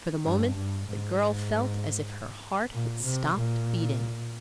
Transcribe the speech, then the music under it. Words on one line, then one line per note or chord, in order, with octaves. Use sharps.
For the moment the girl felt as if her heart had stopped beating.
G2
G2
G#2
A#2
C3
A#2